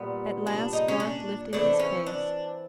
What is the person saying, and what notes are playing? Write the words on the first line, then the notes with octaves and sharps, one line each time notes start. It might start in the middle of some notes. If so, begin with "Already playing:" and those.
At last Garth lifted his face.
Already playing: A#2 G3 B3
D4
D#4
C#4
D4
E3 A3 C4 D4
C#4
D4